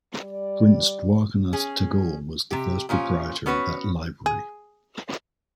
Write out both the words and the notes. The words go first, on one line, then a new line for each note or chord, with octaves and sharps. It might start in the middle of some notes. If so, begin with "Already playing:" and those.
Prince Dwarkanath Tagore was the first proprietor of that Library.
G3 D5
C#4 G#4
C3 G4
A#2 F3 C#4 F4
B3 C#4 F#4 B4 C#5
G#4